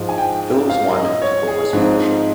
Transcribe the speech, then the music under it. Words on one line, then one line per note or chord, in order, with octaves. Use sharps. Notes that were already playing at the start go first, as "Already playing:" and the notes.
Phillips Wyman took over as publisher.
Already playing: G#2 F3 G#3
G#5
G5
F5
D#5
C#5
G#4
G#2 F3 C4 D#4